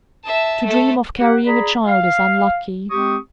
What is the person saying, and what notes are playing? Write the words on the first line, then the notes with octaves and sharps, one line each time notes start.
To dream of carrying a child is unlucky.
E5 A5
A3 A4
A#3 G4 F#5
G#4 D5 A#5 B5
F5
G#3 C4 G4 C#6 D#6